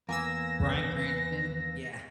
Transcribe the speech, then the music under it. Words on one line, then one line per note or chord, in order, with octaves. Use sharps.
Bryan Cranston? Yeah,
E2 A#3 B4 G#5 E6 A#6